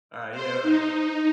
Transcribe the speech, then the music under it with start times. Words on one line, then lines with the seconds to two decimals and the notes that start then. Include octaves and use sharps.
alright, yeah, right
0.32 C5
0.63 D#4